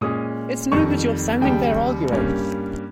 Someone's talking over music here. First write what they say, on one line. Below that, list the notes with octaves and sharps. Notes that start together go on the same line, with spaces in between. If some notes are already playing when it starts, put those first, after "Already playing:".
It's no good your standing there arguing.
A#2 G#3 C#4 D#6
F2 D#3 G3 C#6
D#2 C#3 G3 G5
G2 G3 A#3 C#4